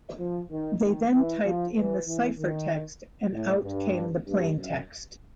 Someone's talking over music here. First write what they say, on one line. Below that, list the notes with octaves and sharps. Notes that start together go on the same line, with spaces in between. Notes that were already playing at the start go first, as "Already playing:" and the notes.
They then typed in the ciphertext and out came the plaintext.
F3
D#3
D#3
E3
F3
E3
E3
D#3
A2
G2
G2
F#2